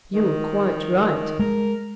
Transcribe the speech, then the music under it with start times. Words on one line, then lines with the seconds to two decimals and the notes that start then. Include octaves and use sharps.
'You are quite right.
0.13 D#3
1.39 G#3 A#4